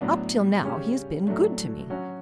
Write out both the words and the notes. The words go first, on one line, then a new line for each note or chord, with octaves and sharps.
Up till now he has been good to me.
A2 F#3 B3 D4
C#3 G3 C#4 G4
A2 F#3 A3 D4
F#3 C#4 F#4